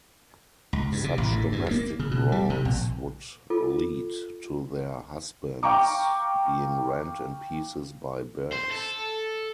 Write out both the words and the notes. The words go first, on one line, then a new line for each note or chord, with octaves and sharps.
Such domestic brawls would lead to their husbands being rent in pieces by bears.
C#2
G2
C3
A1
A2
G2
A#3
C#3
B2
G3
C3
A#1
F4 A4
F5 G5 A#5 C#6 D6
C5
A4